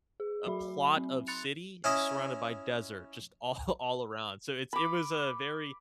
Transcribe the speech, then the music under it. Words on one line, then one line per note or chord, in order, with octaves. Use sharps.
a plot of city surrounded by desert just all all around. So, it's it was a very
G#4
F#3 F#4 E5 B5
C4
B5 C6 F#6 A6 C#7 F7
C#4 E4 D#5
B5 D6